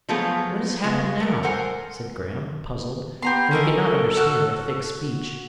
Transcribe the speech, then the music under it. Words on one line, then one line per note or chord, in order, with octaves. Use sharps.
"What has happened now?" said Graham, puzzled, for he could not understand their thick speech.
F3 F#3 A3 B3 F4 G#4
C#3 G#3 B3 F4
A3 A#4
A4 A#4 C5 F#5 G#5
B3 G4 A#5 C6
C#4 A4 A#4 D#5
F#4 F6 F#6